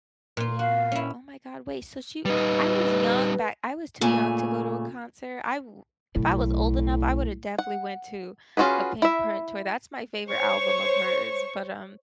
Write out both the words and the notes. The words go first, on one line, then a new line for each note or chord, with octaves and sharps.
Yeah, oh my god, wait, so she I was young back I was too young to go to a concert, I w if I was old enough, I would've definitely went to a Pinkprint Tour that's my favorite album of hers, but, um
A#2 F4
F#4 F5
C#4 E4
G3 D#4 B4
A#2 C#3 A3 G#5
B1 A2
F#5
C#4 F4 F#4 G#4 B4
E4 E5
C5 C#5 C#6